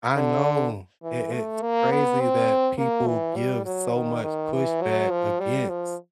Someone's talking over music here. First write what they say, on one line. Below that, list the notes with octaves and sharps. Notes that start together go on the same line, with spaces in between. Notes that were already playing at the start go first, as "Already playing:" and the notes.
I know i it's crazy that people give so much pushback against,
D3
E3
A3
A#3
B3
C4
A#3
E3
G3
F#3
D#3
D#3
E3
F#3
F3
G3
F3